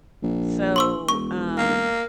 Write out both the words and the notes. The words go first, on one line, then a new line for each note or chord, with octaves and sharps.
So, um,
A#1
C6 C#6 E6
E1 C#6
A#3